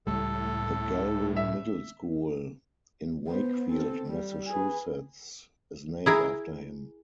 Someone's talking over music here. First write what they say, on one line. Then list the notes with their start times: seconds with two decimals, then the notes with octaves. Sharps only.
The Galvin Middle School in Wakefield, Massachusetts, is named after him.
0.07 C#2 A2 G3 A4
1.37 E5
3.27 B3 C5
3.70 C4 A4
4.06 G3
4.47 G#4 B4
6.06 E4 G#4 A#4